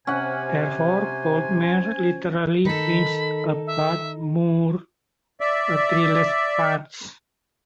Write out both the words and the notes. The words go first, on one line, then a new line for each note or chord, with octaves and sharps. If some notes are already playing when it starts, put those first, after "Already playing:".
Therefore, Boldmere literally means a "bald moor"; a treeless patch.
C3 C#4 C5 F#5 G#5
D#3 D#4 A4 B5
E5
D5 E5